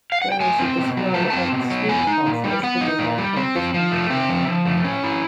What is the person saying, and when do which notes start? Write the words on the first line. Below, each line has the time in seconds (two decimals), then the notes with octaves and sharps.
There is a display of Street fossils in the Natural History Museum in London.
0.12 F5
0.22 F#5
0.32 G5
0.40 A3 G#5
0.59 C4
0.78 B2
0.97 F#3
1.14 A3 A5
1.30 C4 A5
1.52 B2
1.71 F#3
1.89 B3 G#5
2.07 D#4
2.26 A#2
2.44 G3
2.63 B3 F#5
2.81 D#4
2.99 A#2
3.18 G3
3.36 C4
3.56 F3
3.74 F3
3.92 A3
4.10 C4 E5
4.29 F3
4.47 F3
4.65 A3
4.84 C#4
5.03 E4